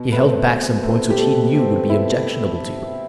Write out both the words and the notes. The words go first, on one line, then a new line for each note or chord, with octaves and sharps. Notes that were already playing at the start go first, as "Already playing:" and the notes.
He held back some points which he knew would be objectionable to you.
Already playing: B2
A3 C4 B4
B2
A3 C4
G4
B2 A4
A3 C4 G4
B2 E4